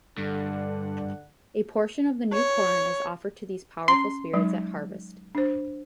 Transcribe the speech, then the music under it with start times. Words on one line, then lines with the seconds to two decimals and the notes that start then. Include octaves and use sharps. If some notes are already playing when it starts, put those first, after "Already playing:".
A portion of the new corn is offered to these powerful spirits at harvest.
0.18 G2 D3 D4 F#5
2.33 C#5
3.88 C#4 A#5 C6
4.33 F#3 G#3 D#4
5.35 D4 C5